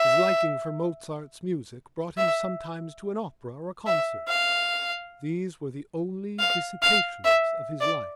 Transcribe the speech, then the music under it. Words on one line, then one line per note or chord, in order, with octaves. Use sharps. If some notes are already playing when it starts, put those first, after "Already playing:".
His liking for Mozart's music brought him sometimes to an opera or a concert: these were the only dissipations of his life.
Already playing: E5
E5
E5
F5
F5
F5
E5
D5